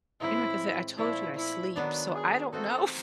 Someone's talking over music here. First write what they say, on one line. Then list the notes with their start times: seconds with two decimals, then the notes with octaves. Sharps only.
You know, like I said, I told you I sleep, so I don't know.
0.20 A2 E3 G#3 C4 E4
0.98 A#2 F3 A3 E4
1.37 E4
1.76 D#3 F#3 B3 D4
2.14 G#4
2.53 E3 A3 C4 D#4 F#4 A4